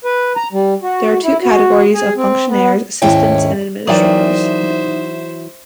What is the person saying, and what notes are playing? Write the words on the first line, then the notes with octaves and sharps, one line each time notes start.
There are two categories of fonctionnaires Assistants and Administrators.
B4
A#5
G3
F#4
E4
F#4
G#4
C4
B3
D#2 G#2 C#4 E4 G5
E3 F#3 D#4 A#4 C5 D5 E5 G5